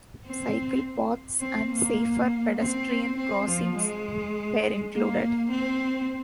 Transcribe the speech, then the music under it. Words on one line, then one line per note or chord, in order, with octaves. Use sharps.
Cycle paths and safer pedestrian crossings were included.
C4
C4
A#3
C4
C4
F3
G#3
A#3
C4